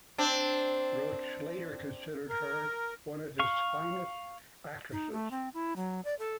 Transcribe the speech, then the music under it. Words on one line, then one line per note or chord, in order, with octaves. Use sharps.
Roach later considered her one of his finest actresses.
C4 D4
A#4
F5 C#6
D#4
A3
C4
E4
F#3
D5
A4